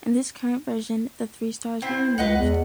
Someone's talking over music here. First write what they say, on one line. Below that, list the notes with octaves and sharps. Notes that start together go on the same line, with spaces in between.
In this current version, the three stars were removed.
C4 E4 C5
C#2 B4 D#5 F#5
E2